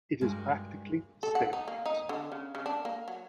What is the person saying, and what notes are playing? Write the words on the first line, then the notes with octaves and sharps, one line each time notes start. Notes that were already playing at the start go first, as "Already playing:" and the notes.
It is practically stalemate.
G2 G#3 F#4 G#4 A#4 G#5
A4
F#5
D#4
A#3
D#4
D3
C#3
C#3
D4
A#3
F#3